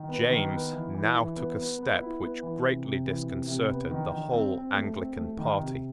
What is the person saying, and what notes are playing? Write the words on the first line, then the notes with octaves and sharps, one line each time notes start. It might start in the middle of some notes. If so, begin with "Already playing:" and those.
James now took a step which greatly disconcerted the whole Anglican party.
Already playing: D#3
B3
D#3
B3
E3
E3
E3
B3
B3
B3
E4
B3
E3
C3
C3
E3
C3
C3
B3
D#3
D#3
C4
C4
A3
C4
A3
D#3
C3